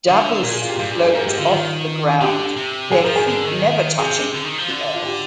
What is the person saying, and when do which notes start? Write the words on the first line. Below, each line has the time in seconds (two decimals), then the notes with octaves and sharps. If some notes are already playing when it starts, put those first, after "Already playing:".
Dabus float off the ground, their feet never touching the earth.
0.08 D3
0.43 A#2 A#4
0.53 G#4
0.62 F4
0.70 G4
0.79 G2 F4
0.91 G4
1.03 G#4
1.15 G#2 A#4
1.26 G#2 G4
1.38 D3 F4
1.50 D#3
2.21 D3 G4
2.56 C3
2.92 D3 G#4
3.04 F3 A#4
3.15 D#3 G#4
3.27 D3
3.45 D#3
3.98 C3 G#4
4.35 D3
4.46 D#3
4.58 F3
4.70 D3
4.94 F4
5.05 G4